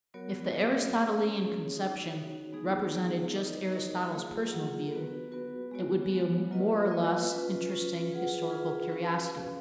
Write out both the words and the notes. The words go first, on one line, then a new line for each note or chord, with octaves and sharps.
If the Aristotelian conception represented just Aristotle's personal view, it would be a more or less interesting historical curiosity.
F#3 B3 F#4 A#4 C#5
F#3 B3 F#4 A#4 C#5
A#3 C#4 G#4 C#5
A#3 C#4 G#4 C#5
D#4 F#4 C#5
D#4 F#4 C#5
G#3 B3 D#4 G#4
G#3 B3 D#4 G#4
D#4 A#4 D#5
D#4 A#4 D#5
F#3 A#3 F4 G#4
F#3 A#3 F4 G#4
B3 F#4 B4
B3 F#4 B4
G#3 B3 F#4 C#5
G#3 B3 F#4 C#5
F#3 A#3 F4 B4 D#5
F#3 A#3 F4 B4 D#5
C#4 F4 B4
C#4 F4 B4
F4 G#4 B4 F#5
F4 G#4 B4 F#5
C#4 F#4 B4 F5
C#4 F#4 B4 F5